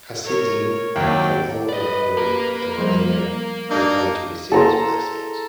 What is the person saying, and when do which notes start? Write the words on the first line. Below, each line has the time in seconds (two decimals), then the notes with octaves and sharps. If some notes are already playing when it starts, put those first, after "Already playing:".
Hasidim from all over Hungary and Romania would come to receive his blessings.
0.24 A#4 C#5
0.96 D#2 F#3 C4 D5 G5
1.68 B4 D5 D#5
2.17 A#3 G4 A#4
2.78 F3 G3 C5
3.70 A#3 D4 D#4
4.52 A4 A#5 C6